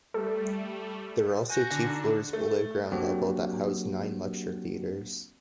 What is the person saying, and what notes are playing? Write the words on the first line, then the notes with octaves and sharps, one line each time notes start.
There are also two floors below ground level that house nine lecture theatres.
G3 A3 A4
F#4 G#5 G6 A#6
D3
D#4
A3
F#3 A#3 C4 D4 F#4 G4